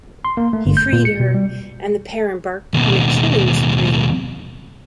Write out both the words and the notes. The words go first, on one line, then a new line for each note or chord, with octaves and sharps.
He freed her, and the pair embarked on a killing spree.
C6
A#3
A3
G1
G6
A#2
C#7
B2
G3
D#2 B2